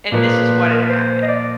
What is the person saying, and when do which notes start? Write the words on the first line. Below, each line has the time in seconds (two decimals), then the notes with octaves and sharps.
and this is what had happened,
0.12 A#2 F3 A#3 B4
0.71 A#4
0.80 B4
0.89 C5
1.23 D#5
1.28 D5